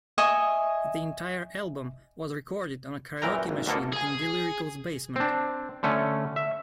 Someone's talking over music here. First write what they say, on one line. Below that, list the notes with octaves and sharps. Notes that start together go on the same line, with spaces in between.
The entire album was recorded on a karaoke machine in D-Lyrical's basement.
D#5 E5 G#5 C#6
F#2 A#2 E3 A#4 G5 A#5
G#1
D2 B2 D3 A#3 A4
G#4 G#5
C4 D4
D3 A3 C#4
E5